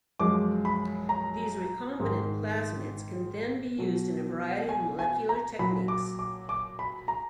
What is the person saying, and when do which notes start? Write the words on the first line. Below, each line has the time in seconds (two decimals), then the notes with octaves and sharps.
These recombinant plasmids can then be used in a variety of molecular techniques.
0.19 F#2 F3 G#3 D6
0.65 B5
1.09 A#5
2.00 G#2 D#3 G#3
3.78 B2 F#3
4.69 G#5
4.99 G#5
5.29 A#5
5.59 A#2 F#3 B5
5.88 D6
6.19 D6
6.49 D6
6.79 B5
7.08 A#5